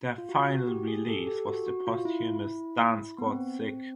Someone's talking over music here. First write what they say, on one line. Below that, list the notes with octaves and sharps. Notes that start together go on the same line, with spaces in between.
Their final release was the posthumous Dance Got Sick!
F4
F#4
F#4
G4
G#4
G4 A4
G4 A4
F#4
F#4
F4
F4
E4
B3
C4